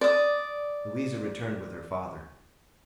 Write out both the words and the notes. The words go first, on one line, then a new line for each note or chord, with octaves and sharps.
Louisa returned with her father.
D5 D#6